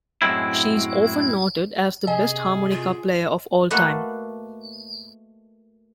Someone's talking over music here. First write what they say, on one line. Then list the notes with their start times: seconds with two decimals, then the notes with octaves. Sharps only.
She is often noted as the best harmonica player of all time.
0.22 F#2 A2 G#3 C4 E4
2.07 C3 G#4 D#5 G#5
2.71 F4
3.70 A3 A#3 F#4 A4 B4 D#5